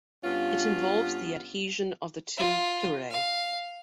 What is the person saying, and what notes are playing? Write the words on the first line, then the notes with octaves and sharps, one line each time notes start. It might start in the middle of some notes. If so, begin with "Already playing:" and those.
It involves the adhesion of the two pleurae.
G2 B3 C#4 F4
F4
F5